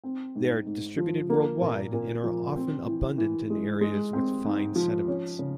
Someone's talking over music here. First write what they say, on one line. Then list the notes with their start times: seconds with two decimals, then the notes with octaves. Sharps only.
They are distributed worldwide, and are often abundant in areas with fine sediments.
0.04 C4
0.35 G#2
0.66 G#2
0.98 F3
1.30 A#3
1.60 A#2
1.93 A#2
2.24 F3
2.56 C4
2.87 E3
3.18 E3
3.50 G#3
3.81 G#3
4.13 C4
4.45 G#2
4.75 F3
5.08 C#4
5.39 C#3